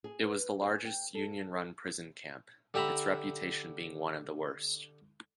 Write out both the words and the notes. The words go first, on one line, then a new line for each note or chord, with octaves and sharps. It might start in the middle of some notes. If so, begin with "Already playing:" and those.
It was the largest Union-run prison camp, its reputation being one of the worst.
G#4
B4
G#4
G5
A4
D3 G4 E5 A#5 B5